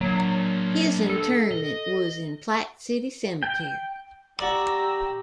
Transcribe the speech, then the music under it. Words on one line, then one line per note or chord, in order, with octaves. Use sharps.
His interment was in Platte City Cemetery.
F#3 A#3 D4
A4
D#5
G5
F#4 G4 D5 A#5 E6